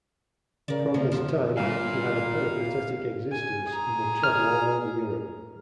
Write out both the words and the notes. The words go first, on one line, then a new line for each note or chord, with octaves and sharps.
From this time, he had a peripatetic existence, and would travel all over Europe.
C#3 A#4 D5
F3 A#3 C#4
F#2 D3 F3
G1 A#2 F5 G#5
G#5
G#4 A#5
F6